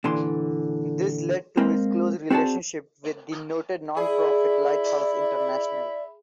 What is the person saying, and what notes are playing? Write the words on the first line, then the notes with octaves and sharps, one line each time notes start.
This led to his close relationship with the noted non-profit Lighthouse International.
A#2 D3 E3 C6
G#3 A#3 C4
C4 F#4 G#4 D5 A5
G#4 D5 E5 B5